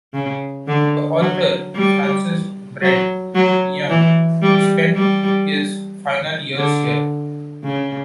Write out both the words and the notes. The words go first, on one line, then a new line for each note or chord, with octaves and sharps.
The author Francis Brett Young spent his final years here.
C#3
D3
F#3
G3
F#3
F#3
E3
G3
G3
D3
C#3